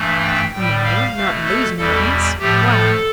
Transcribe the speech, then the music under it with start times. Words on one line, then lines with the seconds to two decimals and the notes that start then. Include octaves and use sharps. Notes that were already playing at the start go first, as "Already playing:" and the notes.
"No--not in THESE mountains--why?"
Already playing: G2 E3 A3
0.22 G5
0.52 A2 G5
0.58 G3
0.84 F5
1.15 B2 A3
1.46 A4
1.77 E2 B2 G3 A4
2.39 A2 F3 A3 G4
2.71 A4